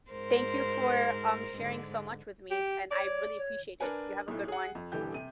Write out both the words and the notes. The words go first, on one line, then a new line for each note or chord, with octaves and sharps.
Thank you for, um, sharing so much with me, and I really appreciate it. You have a good one.
G#2 A#4 C5
G#2 D3
G4
C#5 D5
C#5
D4 A#4 B4 G#5
B1 A2
G#4 F#5
F2
D#1 D3 E3 G4 G6
C3 D#7